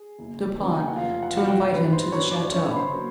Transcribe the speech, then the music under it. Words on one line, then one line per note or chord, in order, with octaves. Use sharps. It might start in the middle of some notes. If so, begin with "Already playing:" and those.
Du Pont to invite him to the chateau.
Already playing: G#4
F#1
E2 C#3 F#3
G#5
G5
F#5
F1 F4 F5
F#5
F5
E2 B2 G3 F#4 F#5
G4 G5
G2 B4 B5
C5 C6
D3 F#3 C#5 C#6
D5 D6
F#2 C#5 C#6
B5
C5 C6
D3 F#3 A#3